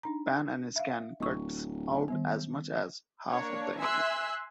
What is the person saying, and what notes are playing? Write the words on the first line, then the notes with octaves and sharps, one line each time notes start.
Pan and scan cuts out as much as half of the image.
D4 D#4 A#5
E5 F5
D1 D#5 C#6
D#3 G3 B3
A#3 D4 C#5
E5 G#5 C6 E6 F#6